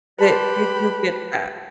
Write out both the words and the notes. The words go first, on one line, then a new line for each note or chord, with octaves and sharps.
th you do get that.
G4 B4 A5 B5 C6